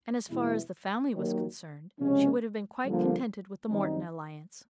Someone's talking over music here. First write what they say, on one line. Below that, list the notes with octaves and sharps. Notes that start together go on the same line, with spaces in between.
And, as far as the family was concerned, she would have been quite contented with the Morton alliance.
E2 B2 G#3 B3 E4
D#2 D#3 F#3
C#2 C3 F3 G#3 C#4
G2 D3 F3 A#3
F#2 D#3 G3 C4 D#4